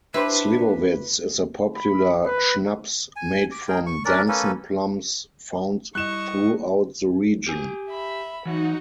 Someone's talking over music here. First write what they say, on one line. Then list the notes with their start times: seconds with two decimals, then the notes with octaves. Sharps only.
Slivovitz is a popular schnapps made from Damson plums found throughout the region.
0.14 D4 E4 G4 B4 C5
1.76 B5
2.26 B4
3.16 G#5
3.52 D6
3.68 G#4 A#4 G5
3.87 C#6
4.05 C#4 D4 A#4 D5
4.28 A#3 C#4 A4 B4
5.95 G3 E4 D#5 C#6 F#6 E7
7.47 G4 G#5
7.90 E5 B5
8.45 E3 F#3 D#4 F#4